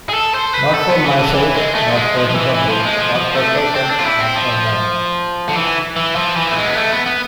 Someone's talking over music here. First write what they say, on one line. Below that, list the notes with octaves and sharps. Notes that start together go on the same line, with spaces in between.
Not for myself, not for the public, not for fashion, not for men.
G#4
A4
C5
B4
A4
B3
E3
D3
E3
G#3
A3
F3
G#3
F3
F3
E3
E3
F3
G#3
F3
F3
A3
D4
C4
D4
F4
E4
C4
F3
D3
E3
E3
F3
E3
A3
G#3
B3
A3
B3
B3